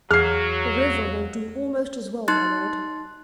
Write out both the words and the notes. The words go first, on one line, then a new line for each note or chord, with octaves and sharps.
"The river will do almost as well, my lord."
E2 F#3 G#4 F5 F6 G#6 C7
D#4 C6 F#6 A6